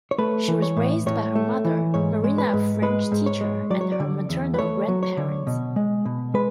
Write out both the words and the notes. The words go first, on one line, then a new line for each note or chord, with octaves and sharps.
She was raised by her mother, Marina-a French teacher-and her maternal grandparents.
C#5
A3 B4
E3
C#5
A2
A2 C#5
A3
E3
G#2 C#5
G#3
B4
G#2
G#3 B4
G#2
C#5
G#3
F#3 D5
C#5
D5
D3
E2
B4
A3 C#5
F#3
C#5
D3
B2
G#3
B2
G#3 B4